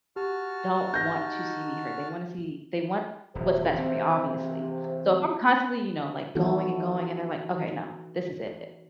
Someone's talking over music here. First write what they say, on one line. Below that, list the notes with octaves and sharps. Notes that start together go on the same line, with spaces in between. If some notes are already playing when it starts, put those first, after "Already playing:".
don't want to see me hurt. They wanna see they want what's best for me, obviously. So, if I'm constantly, you know, like, going and going and they're, like, "Okay, no, this is it it."
F#4 G4 A5 F6
D#4 G6 A#6
D#1 C3
E3 C4
E3 B3 D#4 E4 F#4 A4